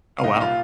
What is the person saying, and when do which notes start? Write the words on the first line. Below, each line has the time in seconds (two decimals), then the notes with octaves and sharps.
Oh, wow.
0.18 F5
0.23 C2 D#4 D#5
0.40 A#2 F4 F5